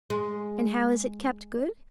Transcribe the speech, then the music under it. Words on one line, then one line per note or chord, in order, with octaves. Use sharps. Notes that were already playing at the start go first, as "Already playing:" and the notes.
And how is it kept good?
G#3